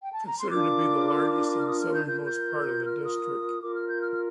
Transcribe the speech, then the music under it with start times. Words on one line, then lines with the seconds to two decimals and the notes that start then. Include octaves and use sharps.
Considered to be the largest and southernmost part of the district.
0.03 G5
0.14 A5
0.26 A#5
0.38 C6
0.50 D4 F4 A#4 D6
1.59 F6
1.67 D#6
1.80 F6
1.93 G6
2.06 F4 A#4 G6
2.24 G6
2.84 F6
3.03 D#6
3.61 F4 A#4 D6
3.75 F6
3.87 G6
4.01 F6
4.12 F6